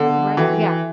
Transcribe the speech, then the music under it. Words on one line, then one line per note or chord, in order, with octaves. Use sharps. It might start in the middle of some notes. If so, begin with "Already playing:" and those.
Right, yeah.
Already playing: D3 B3
E3 F#4 A4 E5 G5